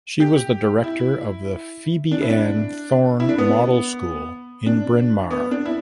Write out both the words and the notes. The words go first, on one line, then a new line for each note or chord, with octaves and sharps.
She was director of the Phebe Ann Thorne Model School in Bryn Mawr.
G4
E4
D4
E4
D4
E4
D4
B3
D4
B3
D4
E4